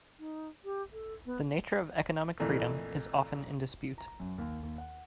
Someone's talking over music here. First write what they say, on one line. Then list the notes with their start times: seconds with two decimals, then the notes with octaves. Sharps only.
The nature of economic freedom is often in dispute.
0.19 D#4
0.65 G4
0.93 A4
1.26 B3
2.39 F2 A#2 E3 A3 A#3
3.98 A#5
4.20 F#2
4.38 D#2
4.63 D#2
4.78 F#5